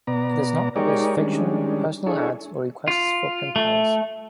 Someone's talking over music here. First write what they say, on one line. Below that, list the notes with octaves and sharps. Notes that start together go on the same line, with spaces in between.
It does not publish fiction, personal ads, or requests for pen pals.
B2 B3 D5 A#5
G#3 D#4 G4 A#4 C#5 D5
D#3 G3 G#3 C#4 D4
D4 E4 G#4 A4 C#5
F4
A3